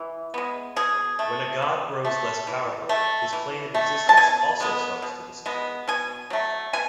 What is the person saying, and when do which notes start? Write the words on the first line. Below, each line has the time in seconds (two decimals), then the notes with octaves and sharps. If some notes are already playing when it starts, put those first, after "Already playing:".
When a god grows less powerful, his plane of existence also starts to disappear.
Already playing: E3
0.34 G#3 B3
0.76 B2 G#4
1.19 A3
1.62 B2
2.05 A3
2.47 E3
2.89 A3
3.33 E3
3.74 A3
4.09 A5
4.17 B2 G#5
4.60 G#3 B3
5.02 B2
5.46 G#3 B3
5.88 B2 G#5
6.30 F#3 A3
6.73 B2 G#5